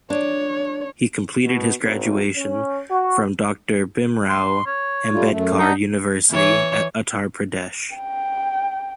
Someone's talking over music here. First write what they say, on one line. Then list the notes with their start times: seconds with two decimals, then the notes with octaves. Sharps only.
He completed his graduation from Doctor Bhimrao Ambedkar University at Uttar Pradesh.
0.10 D4 C#5
1.43 B2
1.80 G#1
2.36 C#4
2.90 F#4
4.29 C6
4.66 C#5
5.14 G3 A3 F4
5.30 F#2 A3
5.59 D4 D#4 F#5 A#5
6.32 E3 C#5
7.96 G5